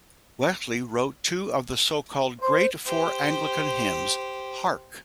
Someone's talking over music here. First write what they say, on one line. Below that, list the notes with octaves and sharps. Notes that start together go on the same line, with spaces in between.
Wesley wrote two of the so-called Great Four Anglican Hymns: Hark!
C5
G4 C5